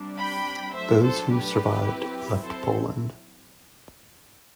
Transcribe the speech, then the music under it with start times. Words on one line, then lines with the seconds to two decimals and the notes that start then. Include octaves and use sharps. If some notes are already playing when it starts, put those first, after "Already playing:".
Those who survived left Poland.
Already playing: C3 G3 D4
0.19 G5 B5
0.75 F#3 A3 D4 C5 E5
1.03 A4 C5
1.31 G4 B4
1.87 F#3 C4 E4
2.43 A4 C5